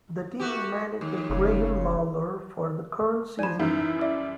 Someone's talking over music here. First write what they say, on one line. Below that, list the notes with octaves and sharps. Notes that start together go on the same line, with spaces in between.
The team is managed by Graham Lawlor for the current season.
A3 F#4 G4
D#2
F#1 C#3
F3 D5 G#5 B5
F#2 E3 G3 D#4 E4
D5 E5